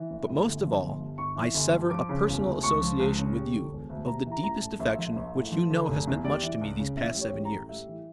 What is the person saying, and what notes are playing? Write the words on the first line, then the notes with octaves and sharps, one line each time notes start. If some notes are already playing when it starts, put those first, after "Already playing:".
But most of all I sever a personal association with you of the deepest affection which you know has meant much to me these past seven years.
Already playing: E3
A#1
A2
G1
F3
G1
G2
G1 C#6
E3
G1
G2
F3 D6
C#3
E1
D2
C#2 C#6
F3
C#2
C#3
G3
D3
E1
D2
G3 A#5
E3
A#5
A1 A#5
A5
A2
A#1 E5
F3
A#1
A2
F3
D3
F1
E2
G3 D5
E3
C#2
C#3
A1 E5
G3
C#5
A1
A#5
A2
G3 E5
E3